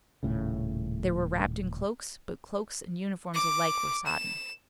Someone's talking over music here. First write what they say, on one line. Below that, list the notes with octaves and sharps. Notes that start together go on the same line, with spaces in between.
They were wrapped in cloaks, but cloaks and uniforms alike were sodden.
D#1 A2 C#3
D6
E7